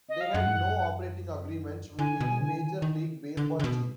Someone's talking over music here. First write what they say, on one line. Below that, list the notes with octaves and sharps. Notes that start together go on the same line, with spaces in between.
They had no operating agreement with any Major League Baseball team.
D#5
F5
F#2 F#5
G#2
F#2
D3 G#5
B2
D3
D#3
D#3
D3
D3
B2